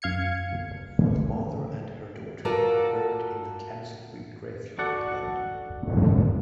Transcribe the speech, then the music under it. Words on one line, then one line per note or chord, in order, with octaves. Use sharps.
The mother and her daughter are buried in the Kensal Green graveyard in London.
F#2 F5 G#6 C#7
F4 F#4 A4 A#4 D5
F#4 A4 D5 F#5